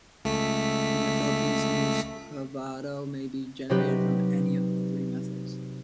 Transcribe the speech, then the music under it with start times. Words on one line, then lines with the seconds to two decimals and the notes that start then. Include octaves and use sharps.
In the Philippines muscovado may be generated from any of the three methods.
0.25 C#2 A3 B6
3.69 C3 F#3 D#4 G4 B4